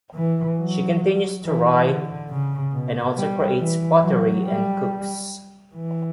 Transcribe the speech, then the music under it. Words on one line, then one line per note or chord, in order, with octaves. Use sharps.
She continues to write, and also creates pottery and cooks.
E3
F#3
E3
D3
C#3
B2
G3
E3
F#3
G3
E3